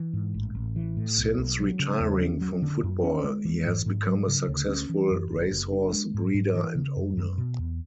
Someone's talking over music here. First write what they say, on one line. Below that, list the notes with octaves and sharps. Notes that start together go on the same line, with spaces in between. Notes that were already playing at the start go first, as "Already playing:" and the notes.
Since retiring from football, he has become a successful racehorse breeder and owner.
Already playing: E3
G#2
A1
A1
E3
A2
B1
B1
F#3
C#3
E2
C#4
F#3
D3
F#2
C#4
G#3
E3
G#2
G#2
F#3
C#3
D2
C#4
E3
F#2
F#1
F#1
D4
G#3
G#2
G#2
E3
C#3
F#2
F#2
B2
E2